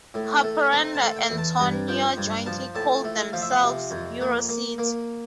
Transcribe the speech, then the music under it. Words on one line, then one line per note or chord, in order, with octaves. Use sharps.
Haparanda and Tornio jointly call themselves "EuroCity".
A2
A3
C4 A#5
A5
A3
G5
E2
A5
G2 A#5
F3 G5
G2
F3 A5
A2 A5
A3
F3 F5
E5
F5
C3
F2
A#3
A#3
A#3